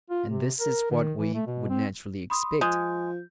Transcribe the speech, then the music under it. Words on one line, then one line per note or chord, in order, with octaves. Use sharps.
And this is what we would naturally expect.
F4
C3
A#4
D#3
E3
A3
B2
C4
B5 C6 D#6
F3 G#3 G6